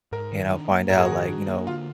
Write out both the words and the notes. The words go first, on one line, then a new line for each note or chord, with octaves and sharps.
and I'll find out, like, you know,
G#2 A#4
D#3
D4
A#3
G#2 A#4
G#4
F#4
D#3 G#4
D4
A#3
D3 F4